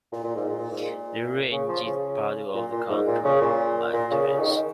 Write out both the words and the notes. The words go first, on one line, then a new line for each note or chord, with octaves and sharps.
The range is part of the Concord Mountains.
A#2
A#2
G#2
A#2
A#2
G#2
A#2
C#3
F3
C#3
A#2
A#2
G#2
A#2
C#3
A#2
A#2
C#3
C#3
D#3
D#3